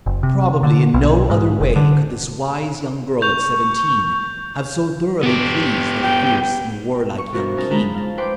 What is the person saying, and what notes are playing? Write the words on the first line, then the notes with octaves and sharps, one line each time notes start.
Probably in no other way could this wise young girl of seventeen have so thoroughly pleased the fierce and warlike young king.
F#1
C3
D3
B1
G#2
F1
D3
C#6 G6 F7
B3 G4
G5
C#6
B2 E3 F3 B3 F#4 A#4
C#4 D#4 A#4 A5
F3 G#3 A#5 B5
F5 A5
B4 C5 G5 C6 D6